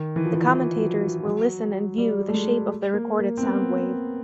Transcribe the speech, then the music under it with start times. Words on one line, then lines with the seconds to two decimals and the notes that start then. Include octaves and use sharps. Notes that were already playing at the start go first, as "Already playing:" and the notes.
The commentators will listen and view the shape of the recorded soundwave.
Already playing: D#3
0.16 E3
0.25 F3
0.35 E3
0.48 E3
0.53 F3
0.76 F#3
1.01 F#3
1.18 F3
1.25 F#3
1.98 G3
2.29 A3
2.34 G#3
2.94 A#3
3.19 A#3
3.37 C4
3.43 B3